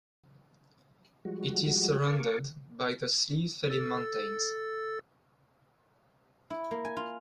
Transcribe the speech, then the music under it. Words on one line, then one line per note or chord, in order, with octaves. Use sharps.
It is surrounded by the Slieve Felim Mountains.
F3 G3 G#3 F#4
A#4 F5 G#5 A5 C#6 D6
A4 E6 A6
E4
A#3
G#5
F4